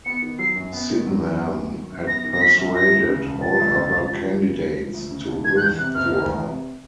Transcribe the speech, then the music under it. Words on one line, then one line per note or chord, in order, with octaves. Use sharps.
Sydenham had persuaded all other candidates to withdraw.
B3 C#7
D#3
F#3 C7
F#2
B3
D#3
F#3
F#2
B3
D#3
F#3
F#2
B3 A#6
D#3
A#6
F#3 B6
F#2
F3 A#6
D2
C#3
E1
F3 A6
D2
C#3
E1
F3
D2
C#3
E1
F3
D2
C#3
E1
D#3 G#6
F#6
E2 G6
C3 F#6
F#1 F6
D#3
E2
C3